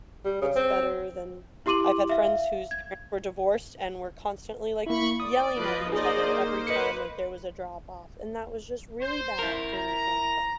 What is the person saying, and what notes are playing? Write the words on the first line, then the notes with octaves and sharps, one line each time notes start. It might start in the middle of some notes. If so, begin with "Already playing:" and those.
it's better than I've had friends whose parents were divorced and were constantly, like, yelling at each other every time, like, there was a drop off, and that was just really bad for my friend growing.
G3
C#3
C4
E4 G4 C6 D6 D#7 F#7
E5 F5
G#6
A#3 E4 B5 C#6
D5 D#6
F3 B4 D#5
A#3 D#4 G#4 C5 D5 D#5
D#4
B4 D#5 C#7
C5
E4 A#4
A#5